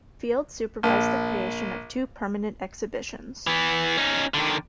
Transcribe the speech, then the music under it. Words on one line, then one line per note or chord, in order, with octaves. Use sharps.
Field supervised the creation of two permanent exhibitions.
A#1
E3 B3
C#4 D#4
D3 D#3